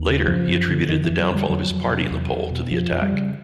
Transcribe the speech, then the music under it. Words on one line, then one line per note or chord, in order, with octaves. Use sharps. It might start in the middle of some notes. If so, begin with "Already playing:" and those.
Later, he attributed the downfall of his party in the poll to the attack.
Already playing: D#2
C#3
F#2 F3
F#2
D3
F2 D#3
E3
F2
F#3
D3
G3
F2 F#3
F2
C3
E2
E2
B2
F2 F3
F2
G3
C#3